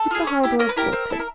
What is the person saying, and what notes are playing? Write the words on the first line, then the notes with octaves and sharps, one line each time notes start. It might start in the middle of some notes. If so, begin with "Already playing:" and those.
'Keep the hall-door bolted.
Already playing: A4
F4 G#4
C#4
E4 G4
C#4 A#4
B4
E4 G4 A#4
C4
E4 A4
A#4